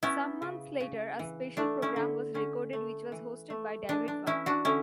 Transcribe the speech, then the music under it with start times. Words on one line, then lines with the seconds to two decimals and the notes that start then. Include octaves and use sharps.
Some months later, a special programme was recorded which was hosted by David Vine.
0.03 B3 C#4 E4
0.42 C#3
0.80 C#3
1.19 E3
1.57 A3 D4
1.82 C#4 E4
1.96 D3
2.34 D3 C#4
2.73 A3
3.12 E3
3.50 A3
3.89 E3 D4
4.08 D4
4.26 E3 C#4 E4
4.46 D4 F#4
4.65 D3 C#4 E4